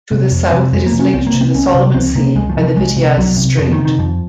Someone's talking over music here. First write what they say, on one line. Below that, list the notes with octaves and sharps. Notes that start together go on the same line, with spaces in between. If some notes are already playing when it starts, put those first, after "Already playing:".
To the south it is linked to the Solomon Sea by the Vitiaz Strait.
C3
F2
C3
F2 G#3
A#3
C3
C#4
C2 C4
A#3
C3
C4
C2 C#4
C3
C#2 C4
C3 A#3
C#2 G#3
F3
C3
F3
C2 G#3
C3
C2 F#3
C3
F2 F3
D#3
C3
D#3
F2 F3